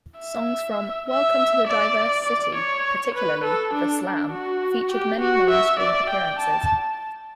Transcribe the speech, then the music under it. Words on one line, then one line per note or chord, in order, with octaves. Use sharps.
Songs from "Welcome to Diverse City", particularly "The Slam", featured many mainstream appearances.
E5
E5
D5
D5
C#5
B4
A4
D4
D4
F#4
G4
F#4
E5
D5
G5
A5